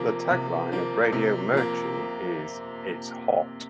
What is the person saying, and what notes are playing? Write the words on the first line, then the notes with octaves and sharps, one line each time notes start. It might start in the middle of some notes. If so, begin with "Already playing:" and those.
The tagline of Radio Mirchi is "It's hot!".
Already playing: C3 F3 A#3
C3
F3 A#3
C3
F3 A#3